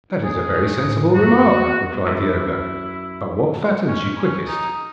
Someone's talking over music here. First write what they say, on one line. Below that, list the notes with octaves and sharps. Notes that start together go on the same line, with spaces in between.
'That is a very sensible remark,' replied the ogre; 'but what fattens you quickest?'
B2 G#4
A2
A2
F#2 F#4
E2
F#2 E4
C#4
C#4
D#4